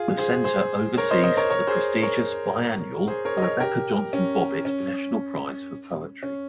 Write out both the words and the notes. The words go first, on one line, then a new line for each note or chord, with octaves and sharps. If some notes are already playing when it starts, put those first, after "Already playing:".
The center oversees the prestigious biannual Rebekah Johnson Bobbitt National Prize for Poetry.
Already playing: F4 G#4
G#4 C5
G#4 C5
A#4 C#5
C5 D#5
C5 D#5
A#4 C#5
A#4 C#5
G#4 C5
A#4 C#5
G#4 C5
A#4 C#5
D#5
A#4 C#5
G4 A#4
C#4
C#4
C#4